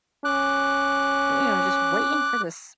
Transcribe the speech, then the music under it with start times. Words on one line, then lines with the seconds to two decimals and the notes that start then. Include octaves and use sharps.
you know, just waiting for this
0.25 C#4 D6 F#6